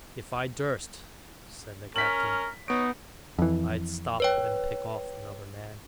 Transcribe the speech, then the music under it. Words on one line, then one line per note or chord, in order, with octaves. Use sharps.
"If I durst," said the captain, "I'd stop and pick off another man."
C#4 A#4 B6 F#7
B3 D#4 C#5 D7
F2 E3
B4 C#5 G5